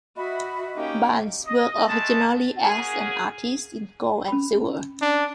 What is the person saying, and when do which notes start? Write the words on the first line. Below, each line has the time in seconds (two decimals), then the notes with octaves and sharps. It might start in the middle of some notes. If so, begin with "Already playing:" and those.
Barnes worked originally as an artist in gold and silver.
0.16 F#4 D#5 E5 B5
0.77 A#3 C#4 D#4 G4 G5
1.46 D#5
1.87 G#3 A3 A5
2.63 A#3 C#4 F#4 G#4
4.28 C#4 B5
5.01 D4